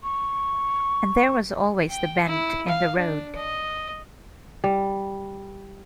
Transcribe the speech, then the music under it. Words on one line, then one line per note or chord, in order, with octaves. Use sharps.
And there was always the bend in the road!
C#6
G5
E4
F5
D4
D#5
G3